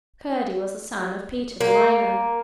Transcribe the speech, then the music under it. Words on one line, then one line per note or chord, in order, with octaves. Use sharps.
Curdie was the son of Peter the miner.
A#3